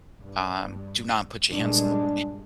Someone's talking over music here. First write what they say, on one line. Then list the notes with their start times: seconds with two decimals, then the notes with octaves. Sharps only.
Um, do not put your hands in the wa
0.18 G2
1.51 G2 A#2 G#3 D4